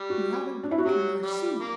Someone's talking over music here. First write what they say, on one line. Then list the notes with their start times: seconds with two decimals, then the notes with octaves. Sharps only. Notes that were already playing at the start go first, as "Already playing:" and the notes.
"You haven't drunk your nice soup."
Already playing: G3
0.10 F#4
0.63 D4
0.71 E4
0.78 F#4
0.85 F#3 G4
1.24 G3
1.61 A#3